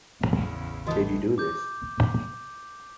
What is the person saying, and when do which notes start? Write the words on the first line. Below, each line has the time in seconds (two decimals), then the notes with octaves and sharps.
Did you do this?
0.23 A1 E2 C#3
0.87 A2 E3 F#4 D#5 D#6
1.38 D6 G6